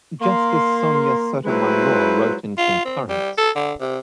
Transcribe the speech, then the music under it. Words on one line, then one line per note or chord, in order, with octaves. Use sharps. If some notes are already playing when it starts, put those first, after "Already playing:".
Justice Sonia Sotomayor wrote in concurrence.
A#3 C6
F#3 G#3 E4 F4 B4 C5
F4
C4
G3
A4
D3
C3